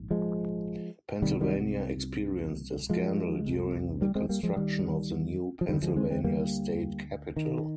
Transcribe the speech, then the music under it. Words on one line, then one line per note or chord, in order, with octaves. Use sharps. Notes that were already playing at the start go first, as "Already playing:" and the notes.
Pennsylvania experienced a scandal during the construction of the new Pennsylvania State Capitol.
Already playing: A#1 G#2
F3 G#3
C2 C3 D#3 G3
D#3 G3
F3 G#3
C2 C3
G3 A#3
G#3 C4
G3 A#3
F3 G#3
D#3 G3
F3
D2 D3 D#3 G3
F3 G#3
G#3 C4
G#3 C4
G3 A#3
D#3